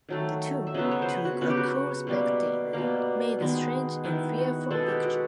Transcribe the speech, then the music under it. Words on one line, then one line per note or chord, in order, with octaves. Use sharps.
The two, to a cool spectator, made a strange and fearful picture.
D#3 F#3 A3
E5
C#3 F#3 B3 D#5
C#5
C5
B4
F#4
C#3 F#3 B3 F#4
G4
F#4
B2 G3 A#3
B2 G3 A#3
D#3 G#3 B3
D#3 G#3 B3 E4
F#4
B2 G#3 B3 A4
G4
F#4